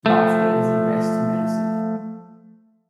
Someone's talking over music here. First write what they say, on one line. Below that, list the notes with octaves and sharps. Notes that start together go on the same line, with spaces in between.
Laughter is the best medicine.
F3 A3